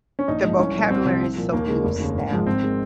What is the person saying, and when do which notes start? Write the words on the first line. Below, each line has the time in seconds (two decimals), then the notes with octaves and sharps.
the vocabulary is so loose now.
0.19 C#4
0.28 A#1 D#4
0.44 G#2 F3 G#3
0.59 C2 C#4
0.74 A#2 G3
0.90 C2 C4
1.05 C3 F3
1.22 C2
1.36 A#2 F3
1.53 D#2 A#3
1.68 C#3 G#3
1.84 F1
2.00 D#2 C#3
2.15 G#1
2.31 G#2 F3 G#3
2.46 G#1 C4
2.62 D#3 G#3